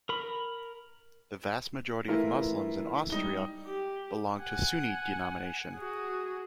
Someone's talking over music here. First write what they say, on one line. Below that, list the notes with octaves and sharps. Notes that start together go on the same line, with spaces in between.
The vast majority of Muslims in Austria belong to Sunni denomination.
A#4 B5
E3 A3 E4 F4 A#4
G3 D#4 G7
G4
F#5 G#5
F#4 G#4